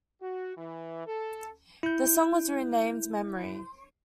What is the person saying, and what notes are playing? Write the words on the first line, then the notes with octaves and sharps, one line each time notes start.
The song was renamed "Memory".
F#4
E3
A4
E4 G6